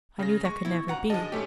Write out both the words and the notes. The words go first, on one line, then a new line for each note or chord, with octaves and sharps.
I knew that could never be.
C#3 A#6
G#3 C#6
B3 E4
F2 F#5 A#5
F#2 D3 G#3 D#5 A5
G#2 A3 C#4 G4